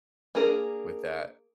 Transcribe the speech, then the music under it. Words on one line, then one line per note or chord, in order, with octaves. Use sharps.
with that.
A#3 D4 G#4 A#4